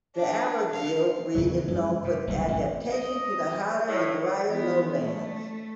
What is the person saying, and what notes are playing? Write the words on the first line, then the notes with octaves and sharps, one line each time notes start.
The Abergele breed is known for its adaptation to the hotter and drier lowlands.
D4
F5
E2 C#3 F#3
F#2 G#3
C3
F#1 C2
A1 F2
D#5
A2
E3 B3
A3